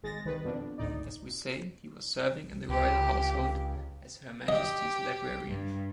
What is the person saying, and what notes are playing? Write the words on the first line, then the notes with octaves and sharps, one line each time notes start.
As we say, he was serving in the Royal Household as Her Majesty’s librarian.
G#1 G#3 A6 A#6
C2 D#3 B4
F2 B2 D4
G#1 D2 A2 D#4 D5
C#2 G4
G4 D#5
G2